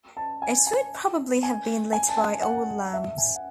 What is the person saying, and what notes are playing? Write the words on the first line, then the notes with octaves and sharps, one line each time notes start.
It would probably have been lit by oil lamps.
A5
G#5
G#5
G#5
G#5
A5
G#5
F#5
E5
G#5
F#5